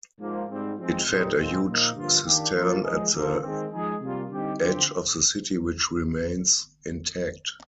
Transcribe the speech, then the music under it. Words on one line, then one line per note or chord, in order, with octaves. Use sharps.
It fed a huge cistern at the edge of the city which remains intact.
G#2 F3 A#3
G#2 G3 C4
F3 G#3 C4
A#2 G3 C4 D#4
A#2 F3 G#3 C4
A#2 F3 A#3 D#4
G2 D3 F3 A#3 F4
D#3 A#3 D4 G4
F3 A#3 F4
F3 G#3 D#4 G#4
D3 F3 A#3
D#3 G#3 C4
F3 G#3 D#4 G#4
C3 G3 A#3 F4
D3 G3 C4 D#4 G4
D3 F3 C4 G4